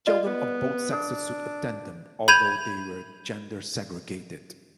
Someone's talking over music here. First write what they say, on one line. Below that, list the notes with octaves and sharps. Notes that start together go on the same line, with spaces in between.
Children of both sexes could attend them, although they were gender segregated.
F4 D5 D#5
B3
D4 A4
B5 G6 G#6 D#7 F7